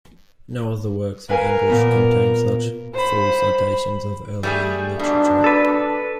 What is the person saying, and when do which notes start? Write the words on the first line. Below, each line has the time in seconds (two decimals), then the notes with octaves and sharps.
No other works in English contain such full citations of earlier literature.
1.29 A#4 B4 F5 G#5
1.68 A#2 A#3 B3
2.94 C5 B5
4.43 G3 A3 G#4
5.00 G#2 B2 D4
5.44 A4 B4